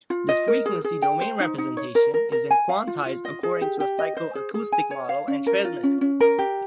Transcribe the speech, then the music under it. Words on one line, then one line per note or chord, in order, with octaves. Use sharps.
The frequency domain representation is then quantized according to a psycho-acoustic model and transmitted.
F4
D#5
A#4
G#4
G#4
G5
C5
D#4
D#4
C#5
A#4
A#4
A#4
G#5
F5
F4
F4
D#5
G#4
G4
G4
D#5
C5
G#4
G#4
G#5
C#5
F5
C#4
A#4
F4
C#4
C#4
A#4
G4